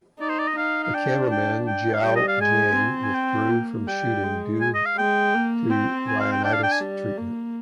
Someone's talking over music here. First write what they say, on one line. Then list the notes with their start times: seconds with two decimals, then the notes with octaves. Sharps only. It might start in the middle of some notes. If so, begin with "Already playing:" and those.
The cameraman Xiao Jiang withdrew from shooting due to rhinitis treatment.
0.20 D#4 D5
0.29 C5
0.39 D5
0.48 D#5
0.57 D#4 F5
0.84 F5
0.94 D4 G5
1.31 G5
1.67 G5
1.94 F5
2.04 G3 G5
2.16 D#5
2.28 F5
2.40 G#3 G#5
2.77 C4
3.03 G#5
3.14 G5
3.50 A#3
3.87 G3 G5
4.24 G#3
4.61 G#5
4.74 D#5
4.85 F5
4.98 G#3 G5
5.35 A#3
5.70 C4 G5
6.08 G#5
6.20 F5
6.32 G5
6.44 D4 G5
6.53 F5
6.63 G5
6.72 G#5
6.81 G3
7.18 A#3